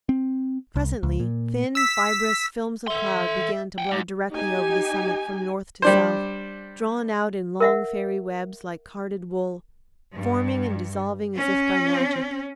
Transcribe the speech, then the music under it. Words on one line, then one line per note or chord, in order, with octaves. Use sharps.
Presently thin, fibrous films of cloud began to blow directly over the summit from north to south, drawn out in long fairy webs like carded wool, forming and dissolving as if by magic.
C4
C2
C#2
A#2
E6 B6
A4 E5 C6
F#5 G5
G#2 D6
D#4 G4 G#5
G3 D4 C5
A#4 E5 F#5
G2
C#4